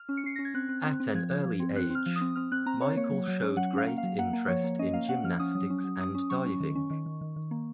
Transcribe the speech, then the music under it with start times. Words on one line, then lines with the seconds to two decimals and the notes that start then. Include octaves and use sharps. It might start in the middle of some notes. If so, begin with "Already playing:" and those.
At an early age, Michael showed great interest in gymnastics and diving.
Already playing: F6
0.09 C#4
0.17 C#7
0.24 C#4 C7
0.36 C#4 A#6
0.45 G#6
0.54 C4 F#6
0.69 C4
0.85 C4
1.00 C4
1.14 F3 G#6
1.30 F3
1.45 F3
1.60 C4
1.76 C4 F#6
1.90 C4
1.95 F6
2.06 F3
2.16 D#6
2.21 C4
2.36 C4 F6
2.52 C4 F#6
2.66 C4 A#5
2.81 C4 C#5
2.96 A#3 C#5
3.12 F#3
3.28 F#3
3.43 C#4
3.57 F#3 F#5
3.73 C#4 F5
3.87 A#3
3.98 F5
4.03 F#3
4.18 A#3 F#5
4.33 A#3
4.48 F3 C#5
4.64 A#3
4.79 C#4 D#5
4.93 A#3 F5
5.09 C#4 F#5
5.24 F3 F6
5.39 C#4 D#6
5.55 F#3
5.70 C#4
5.84 F#3
6.00 C#4 D#6
6.15 C#4
6.30 F#3 C#6
6.46 C#4
6.60 D#3
6.75 C#4
6.90 D#3
7.06 D#3
7.21 D#3
7.36 D#3
7.51 A#3